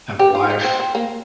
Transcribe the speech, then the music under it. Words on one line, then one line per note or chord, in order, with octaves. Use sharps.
I have a wife,
G4
F4
D#4
C4
C4
A#3